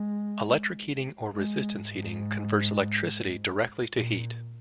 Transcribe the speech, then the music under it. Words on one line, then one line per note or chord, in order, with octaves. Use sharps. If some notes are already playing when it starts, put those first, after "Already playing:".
Electric heating or resistance heating converts electricity directly to heat.
Already playing: G#3
G#3
G#2
A#2